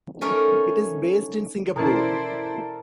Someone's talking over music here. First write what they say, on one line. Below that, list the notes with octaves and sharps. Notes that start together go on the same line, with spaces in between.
It is based in Singapore.
A3 C#4 D#4 A#4 C#5 D5
B2 E3 C#4 E4 A4 A#4 C5 D5